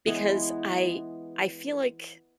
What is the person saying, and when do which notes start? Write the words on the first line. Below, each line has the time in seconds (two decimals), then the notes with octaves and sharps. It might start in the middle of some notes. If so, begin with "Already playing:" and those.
Because I I feel like
0.06 E3 G#3 B3